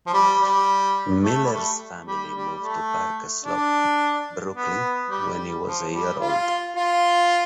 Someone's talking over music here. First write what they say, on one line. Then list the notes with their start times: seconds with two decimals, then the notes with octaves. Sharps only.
Miller's family moved to Park Slope, Brooklyn when he was a year old.
0.07 F3
0.13 G3
0.41 G3
1.24 A3
1.44 G3
1.52 A3
2.07 G3
2.34 G3
2.62 A3
3.45 D4
4.56 B3
5.10 G3
5.67 F3
5.94 G3
6.21 F4
6.77 F4